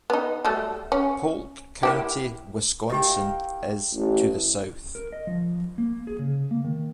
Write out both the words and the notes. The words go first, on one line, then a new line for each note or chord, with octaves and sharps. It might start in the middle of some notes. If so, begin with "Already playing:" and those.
Polk County, Wisconsin, is to the south.
B3 D#4
F#3 G3 A3
C#4
A#3 E4 G4
A#3 E4 G4 D#5 G5
A1
A#4
D#5
F3
A#3
G#4
C#3
A#3
D#3